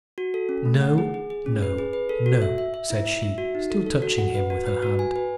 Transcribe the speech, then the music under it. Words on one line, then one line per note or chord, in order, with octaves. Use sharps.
"No, no, no," said she, still touching him with her hand.
F#4
A4
C#4
A3
F#5
G#4
G#4
G#4
C#4
B4
G#4
B4
A4
F#4
E5
E5
E5
E4
E5
E5
F#4
D#4
A4
A4
F#4
F#5
B4
F#4
B4
F#4
G#5
B4